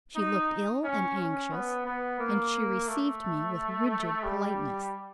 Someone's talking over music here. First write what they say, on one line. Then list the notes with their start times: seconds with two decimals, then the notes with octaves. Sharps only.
She looked ill and anxious, and she received me with rigid politeness.
0.16 D#4
0.84 C#4
1.18 C#4
1.52 B3
1.85 B3
2.19 A#3
2.88 A3
4.24 G3